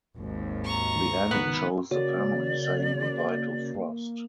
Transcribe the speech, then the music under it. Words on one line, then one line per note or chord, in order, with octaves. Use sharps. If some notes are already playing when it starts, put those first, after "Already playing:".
The ending shows the family saying goodbye to Frost.
G#1 D#2
A#5 C#6
D#3 B3 B5 F#6
C#3 A#3 F#4 C#5 D5